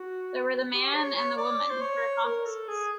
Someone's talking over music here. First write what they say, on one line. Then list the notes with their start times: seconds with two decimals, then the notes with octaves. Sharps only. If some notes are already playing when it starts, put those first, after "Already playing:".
There were the man and the woman, her accomplices.
Already playing: F#4
0.73 G4
0.94 C#5
1.16 C#5
1.37 D5
1.70 C5
1.81 C#5
2.25 A#4
2.46 A4
2.68 G#4